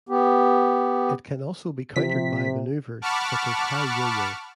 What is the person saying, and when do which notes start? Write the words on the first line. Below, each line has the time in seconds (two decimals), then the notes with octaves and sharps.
It can also be countered by maneuvers such as high yo-yo.
0.09 B3 G4
1.96 C3 F3 B6
3.02 F#5 A5 B5 C#6 D6 F6